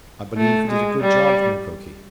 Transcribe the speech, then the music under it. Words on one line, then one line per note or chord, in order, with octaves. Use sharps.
"I believe we did a good job, Mukoki!"
A3
G#3
G3